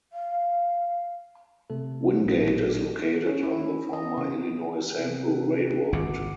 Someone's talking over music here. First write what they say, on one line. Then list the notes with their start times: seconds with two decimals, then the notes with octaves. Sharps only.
Wingate is located on the former Illinois Central Railroad.
0.12 F5
1.70 C3 A3 A4
2.21 A1 A#2 F#3
3.26 C#4
3.43 E4
3.59 C#4
3.93 D#5
4.17 C#3
4.95 C3 C4 B4
5.93 G#1 E2 C#3 F#5 D6